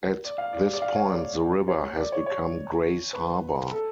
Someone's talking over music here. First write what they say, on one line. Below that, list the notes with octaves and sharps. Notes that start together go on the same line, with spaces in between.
At this point the river has become Grays Harbor.
D5
F5
D5
D5
F5
C#5
D5
C#5
D5
C#5
C#5
B4
A4